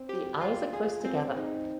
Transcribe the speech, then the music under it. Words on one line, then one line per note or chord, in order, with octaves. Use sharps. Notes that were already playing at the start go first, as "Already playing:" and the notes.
The eyes are close together.
Already playing: C4
G4
F4
G#4
C4
D#4